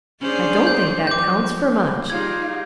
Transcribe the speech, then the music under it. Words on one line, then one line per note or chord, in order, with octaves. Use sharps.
I don't think that counts for much.
C#4 D4 G#4 C5 D5
G6
F3 D6 G6
A#3
G3 D#4 F4 G#4 G#6